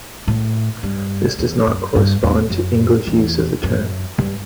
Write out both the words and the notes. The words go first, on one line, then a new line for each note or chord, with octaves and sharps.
This does not correspond to English use of the term.
A2
G2
E2
F#2
G2
E2
F#2
E2
F#2
G2